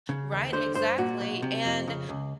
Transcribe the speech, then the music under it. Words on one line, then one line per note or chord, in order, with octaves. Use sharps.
Right, exactly, and,
C#3
D#2
D3 C5
G2 C5
A#2 F#4
B1
C3
F2
C#3
C#2